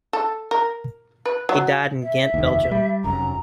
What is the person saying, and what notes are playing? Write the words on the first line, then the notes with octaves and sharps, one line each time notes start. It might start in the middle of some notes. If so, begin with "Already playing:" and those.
He died in Ghent, Belgium.
A4
A#4
B4
F#3
E5
F1 D#2
G3
F1 F#2 A#5